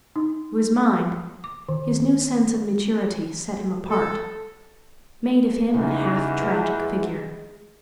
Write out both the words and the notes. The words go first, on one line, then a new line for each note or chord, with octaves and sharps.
To his mind his new sense of maturity set him apart, made of him a half-tragic figure.
D#4
D6
D#3
A4
E2 C#3 D#4
G#3